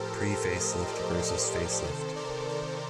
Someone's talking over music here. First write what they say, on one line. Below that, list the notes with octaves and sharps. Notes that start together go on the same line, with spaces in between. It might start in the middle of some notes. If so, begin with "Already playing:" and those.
Pre-facelift versus Facelift.
Already playing: A2 F3 G4 A4 A#4 C5
C5 D#5
A#4 D5
A4 C5
C3 D#3 A4 C5
A#4 D5
A4 C5